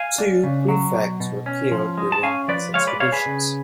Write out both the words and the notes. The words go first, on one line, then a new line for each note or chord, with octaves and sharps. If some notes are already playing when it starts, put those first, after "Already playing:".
Two prefects were killed during these expeditions.
Already playing: F5 G#5
D4
C#3
F#3
B2
B2
C#4
F3
G#3
A5
C#4 F5 G#5
F3 B4 D5
G#3 C#5 F5
B4 D5
D4 C#5 F5
G#4 B4
C#3